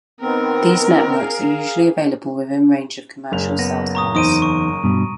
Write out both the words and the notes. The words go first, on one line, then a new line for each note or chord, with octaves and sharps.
These networks are usually available within range of commercial cell towers.
D#3 B3 C4 A#4
G#4 F5
F#1 G#4 F7
B3 A#6
A#5 C#6 D#6
E2 D#4 C5 D#6 D7 D#7
C#6
G2 B2